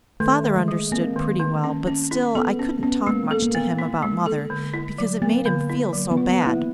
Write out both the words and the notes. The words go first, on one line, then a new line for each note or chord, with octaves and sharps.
Father understood pretty well, but still I couldn't talk much to him about mother, because it made him feel so bad.
D#3 A3
D#3
G#3
G3
A#3 C4
D#3
D#3
C#4
C#4
E4
B3 A4
C#4
B3 C#4
G#3 A#3
A4
A#3
B3
E4
G#3
A4
D3
E4
F#3
A#3 B3
D3
E4
F#3
B3
F4
B3
A#3
E4